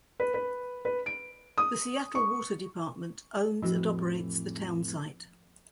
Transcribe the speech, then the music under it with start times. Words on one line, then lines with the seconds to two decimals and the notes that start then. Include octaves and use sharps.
The Seattle Water Department owns and operates the townsite.
0.20 B4
0.34 B4
0.85 B4
1.06 D7
1.58 D#6
2.15 C#6
3.62 F2 A2 E3 F3 A3 F#4